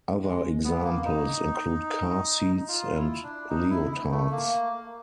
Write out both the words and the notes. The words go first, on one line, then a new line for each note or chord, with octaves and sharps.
Other examples include car seats and leotards.
G#3
B3
A#3
D#4
F4
E4
D4
D#4
E4
A3
A#3